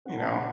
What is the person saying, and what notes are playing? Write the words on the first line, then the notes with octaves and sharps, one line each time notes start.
you know.
C4 F#5
A5
A#2 F#5